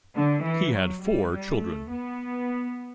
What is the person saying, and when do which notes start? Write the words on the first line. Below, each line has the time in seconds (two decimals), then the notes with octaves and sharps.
He had four children.
0.15 D3
0.44 E3
0.73 F#3
1.03 G3
1.32 G3
1.60 A3
1.90 B3